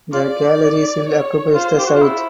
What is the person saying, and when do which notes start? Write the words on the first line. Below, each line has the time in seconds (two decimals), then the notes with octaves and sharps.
The Gallery still occupies the site.
0.13 F4 D5
1.08 C#5
1.55 F4 C5
1.78 G4
1.86 F#4
1.94 F4
2.02 E4